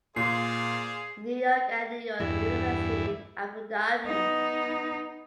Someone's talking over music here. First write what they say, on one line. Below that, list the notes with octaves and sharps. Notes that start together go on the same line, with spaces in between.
New York and New York University in Abu Dhabi.
A#2 G#4 C5 D5 F5 C7
E2 G2 E4
B3 D#4